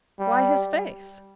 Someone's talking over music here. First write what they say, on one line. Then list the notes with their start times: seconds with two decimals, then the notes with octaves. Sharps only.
"Why his face?"
0.19 G3